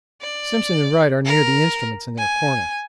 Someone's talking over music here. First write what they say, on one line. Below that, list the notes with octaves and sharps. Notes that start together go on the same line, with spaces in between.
Simpson and Wright are near the instruments in their corner.
D5
A#4
G#5